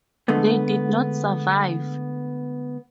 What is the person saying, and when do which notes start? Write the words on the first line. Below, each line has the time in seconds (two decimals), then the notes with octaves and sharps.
They did not survive.
0.28 D3 G#3 A3 B3